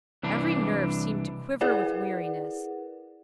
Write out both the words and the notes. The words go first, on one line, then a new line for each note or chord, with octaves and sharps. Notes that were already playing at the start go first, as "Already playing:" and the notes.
Every nerve seemed to quiver with weariness.
C2 E3 D4
E4 G#4 A#4 B4 D5 F#5